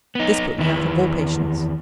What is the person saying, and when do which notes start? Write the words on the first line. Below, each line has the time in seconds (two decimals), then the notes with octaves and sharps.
This put me out of all patience.
0.15 B3 D#4
0.58 E2 D#3 E4 B4